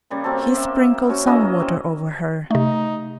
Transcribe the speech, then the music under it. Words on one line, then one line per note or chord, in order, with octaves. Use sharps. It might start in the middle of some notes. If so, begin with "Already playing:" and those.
He sprinkled some water over her.
C#3 G3 A#3
A#3 C4 F#4 A4
A#3 E5
F#3 C#4 F#4 C5
E3 C#4 D#5 E5
F#3 C4
C3 A3 D#4